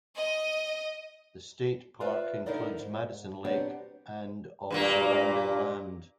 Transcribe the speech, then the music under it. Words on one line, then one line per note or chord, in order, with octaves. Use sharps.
The state park includes Madison Lake and of surrounding land.
D#5
F4 B4 D5 E5
D3 D#4 E4 A#4 D5 D#5
G#2
F#3 B3 C4 D4 G4
G2 A#2 A#3